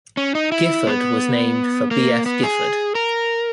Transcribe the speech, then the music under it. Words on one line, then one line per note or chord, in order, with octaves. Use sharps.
Gifford was named for B. F. Gifford.
C#4
D#4
E4
B3
A#3
B3
G#4
A#4